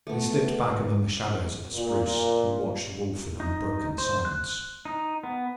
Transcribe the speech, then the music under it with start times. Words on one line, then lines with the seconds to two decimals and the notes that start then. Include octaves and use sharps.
They slipped back among the shadows of the spruce and watched Wolf in unbroken silence.
0.07 A3 B3
1.74 A#2
3.40 D#4
3.98 C5
4.25 F#6
4.85 D#4
5.23 B3